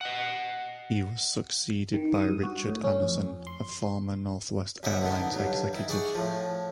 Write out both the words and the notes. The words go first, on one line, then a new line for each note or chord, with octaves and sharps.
He was succeeded by Richard Anderson, a former Northwest Airlines executive.
D#5 F#5
D#3
D#6
G2
F#4
A2
C#4
F2
C6
F#2 D#5 E5 F#5
D3 D#3 B3
G2 F#3
D#3 E4
G#4 D5 F#5 G#5 C#6
A2 F3